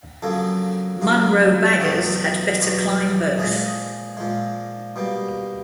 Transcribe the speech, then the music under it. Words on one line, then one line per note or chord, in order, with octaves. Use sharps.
Munro baggers had better climb both.
F2 C#3 F#3 A#3 A4
F2 C#3 F#3 A#3
E2 B2 F#3 G4
E2 B2 F#3
A#2 F3 G#3 G#4
A#2 F3 G#3
B2 G3 A#3